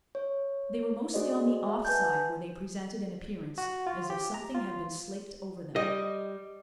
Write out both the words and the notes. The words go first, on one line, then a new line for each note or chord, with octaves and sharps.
They were mostly on the off side; where they presented an appearance, as if something had been slaked over them.
C#5
A3 F#4 G#4 C5 D5 D#5
E5 F#5
B4 G#5 A5 G6
F#4
F4
G4
A#5
F4
G3 D#5